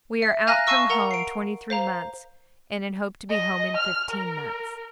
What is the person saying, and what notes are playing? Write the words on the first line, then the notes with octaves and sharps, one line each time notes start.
We are out from home twenty-three months, and in hope to be home in fifteen months.
E5
F5 G#5 A#5 F6 F#6 A#6
F5 G#5 A5 C#6 E6 A#6
A#4 F#5 A#5 F7
C7 D7
C5 F5 A#5
D#5
F6
A#4